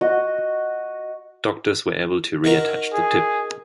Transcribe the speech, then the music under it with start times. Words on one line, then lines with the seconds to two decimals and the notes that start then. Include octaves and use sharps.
Doctors were able to reattach the tip.
0.01 F#4 D#5
2.44 D#3 F#4 A#4
2.93 G#4